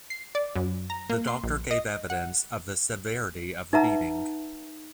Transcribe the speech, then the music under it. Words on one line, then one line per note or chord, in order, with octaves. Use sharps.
The doctor gave evidence of the severity of the beating.
C7
D5
F#2
A#5
A#3
C6
A#1
D#5
F#5
D#4 B4 E5 F#5 A5 A#5